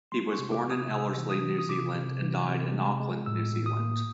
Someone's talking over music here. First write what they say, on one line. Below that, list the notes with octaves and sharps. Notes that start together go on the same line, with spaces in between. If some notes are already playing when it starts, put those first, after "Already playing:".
He was born in Ellerslie, New Zealand and died in Auckland, New Zealand.
G#3 C6
C#6
C3
D6
C3
D#6
C3 E6
E3
D#6
E3
D#6
C3 D6
C3
E3
C3
G#3
G#3
A2 E6
A2
D#6
A#3